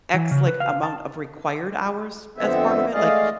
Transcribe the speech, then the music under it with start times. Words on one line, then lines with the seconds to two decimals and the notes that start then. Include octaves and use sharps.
X, like, amount of required hours as part of it? Like,
0.14 E3
0.31 C#3
0.47 B4
0.60 F5
0.83 A5
2.38 F2 D3 B3 C4 E5
2.93 G#3 A3 G#4 D5 D#5 F5